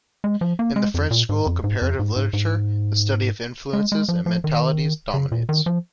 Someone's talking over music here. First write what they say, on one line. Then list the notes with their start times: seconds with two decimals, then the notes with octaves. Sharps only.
In the French School of Comparative Literature, the study of influences and mentalities dominates.
0.24 G#3
0.41 F3
0.59 A#3
0.76 G#3
0.94 F2
1.11 A#2
1.29 G#2
1.46 F2
1.64 G#2
1.82 F2
1.99 G#2
2.16 G#2
2.33 G#2
3.73 G#3
3.92 G#3
4.09 F3
4.26 F3
4.44 D#3
5.14 C#3
5.32 A#2
5.49 D#3
5.66 F3